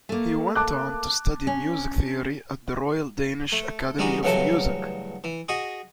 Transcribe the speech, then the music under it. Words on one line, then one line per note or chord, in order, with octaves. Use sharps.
He went on to study music theory at the Royal Danish Academy of Music.
A3 A#3
A5 D6 F#6
C#4
A3
E3 G3 G#3 D#4 F#4
D2 G2 C#3 E3 F#3 A4
E3
F#4 G#4 D#5